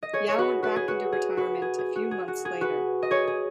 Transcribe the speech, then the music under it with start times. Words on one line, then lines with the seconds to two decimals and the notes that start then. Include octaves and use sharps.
Yeo went back into retirement a few months later.
0.03 D#5
0.13 G#4 C#5
0.29 C#5
0.38 F#4 B4
0.63 F#4 B4
0.76 G#4
0.88 F#4
1.12 G#4
1.37 F#4 B4
1.62 G#4
1.79 G#4
1.96 F#4
2.11 G#4
2.28 F#4
2.45 G#4
2.61 F#4 B4
3.02 D#5
3.11 G#4 C#5
3.27 G#4